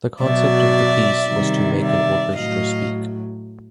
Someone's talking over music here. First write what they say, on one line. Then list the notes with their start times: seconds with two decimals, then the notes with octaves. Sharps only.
The concept of the piece was to "make an orchestra speak".
0.22 B2 F#3 D5 E5
1.29 C3 D#3 G3
1.82 D5 E5
2.36 A2 F#3 D#5 F5